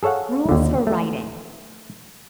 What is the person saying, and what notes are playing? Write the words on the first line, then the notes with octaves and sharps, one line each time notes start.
Rules for Riding.
G#4 A4 C#5 F5 F#5
D#2 D3
A3